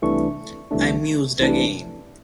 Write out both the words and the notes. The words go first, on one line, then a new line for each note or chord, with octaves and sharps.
I mused again.
C2 C3 E3 A3 D4 C#6
C2 C3 E3 A3 D4
C2 C3 E3 A3 D4